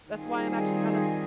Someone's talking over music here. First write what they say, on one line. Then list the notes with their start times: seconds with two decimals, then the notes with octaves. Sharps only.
That's why I'm actually kind of
0.10 D#3 G3 C4 F4 G#4